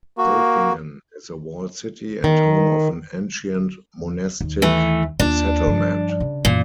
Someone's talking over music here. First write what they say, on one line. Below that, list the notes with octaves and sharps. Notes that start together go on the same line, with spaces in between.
Zofingen is a walled city and home of an ancient monastic settlement.
A#3 F#4
D#3
D#2
E3 A3
D#2 D4 F4
G2 F3
C#3
F#2 A#2 E3